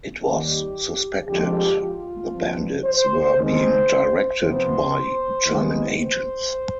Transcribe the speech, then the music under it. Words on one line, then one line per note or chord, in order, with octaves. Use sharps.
It was suspected the bandits were being directed by German agents.
D#2 D#3 G3 G4
F2 D3 F3 G#3 G4
F4
G2 F3 C4
C5
D#2 D#3 G#3 C4 C5
C3 F3 B3 C5
D#2 D#3 G#3 B3
C5